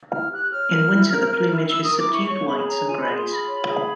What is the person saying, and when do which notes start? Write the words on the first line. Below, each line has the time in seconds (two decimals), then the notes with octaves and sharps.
In winter, the plumage is subdued whites and greys.
0.11 E4 F6
0.31 G4 F#6
0.51 C#5 F6
0.71 A#4
0.91 E4
1.10 A#4
1.30 A#4
1.50 E4
1.69 E4 E6
1.84 A#4 D#6
1.99 D6
2.08 E4
2.14 C#6
2.28 C#5 C#6
2.48 G#4 B5
2.60 B5
2.67 C#5 A#5
2.87 F4 G#5
3.02 B5
3.08 G#4
3.17 C6
3.27 F4 B5
3.47 C#5
3.67 G#4